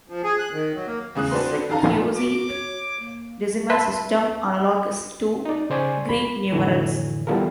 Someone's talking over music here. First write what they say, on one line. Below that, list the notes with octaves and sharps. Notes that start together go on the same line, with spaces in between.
This is a quasi-decimal system analogous to Greek numerals.
F3
G#4
F#6
D#3
F#3
A#3
E2 C#3 D#6 F#6
C4 D4 F#4 B4 C6
F#2 D#3 A4 F5 A#5
F#4 D6
C#5
A#3
B4 E5 A5 C6
D#4 D5
C#3 C5 D5 G#5 C#6
B5
F2 A2 D3 E3
E3 G3 B3 F4 A4 A#4